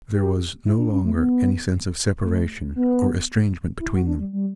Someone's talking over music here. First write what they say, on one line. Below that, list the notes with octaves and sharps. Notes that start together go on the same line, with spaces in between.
There was no longer any sense of separation or estrangement between them.
G4
E4
D4
C#4
A3
B3
A3
B3
E4
F#4
D4
G3
G3